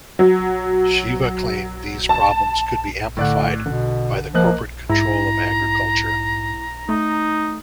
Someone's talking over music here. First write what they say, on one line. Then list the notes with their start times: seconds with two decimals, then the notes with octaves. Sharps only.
Shiva claimed these problems could be amplified by the corporate control of agriculture.
0.19 F#3
2.09 A5
3.17 A2 D3 D5 F#6
3.66 B2 D3
4.34 F3 A#3 D#5 F#6
4.90 G#2 E4 A#5
6.89 A3 D#4